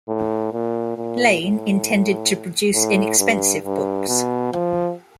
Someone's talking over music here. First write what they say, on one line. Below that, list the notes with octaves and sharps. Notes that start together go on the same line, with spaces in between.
Lane intended to produce inexpensive books.
A2
A#2
A#2
A2
A2
G2
G2
B2
F3